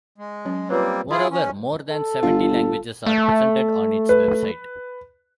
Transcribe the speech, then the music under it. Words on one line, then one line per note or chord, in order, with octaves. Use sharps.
Moreover, more than seventy languages are presented on its website.
G#3
F#3 C#4
G3 A#3 C4 F4 B4 C#5
E4 F4 G#4 C6
C#4
A4
G1 F4
A3
B4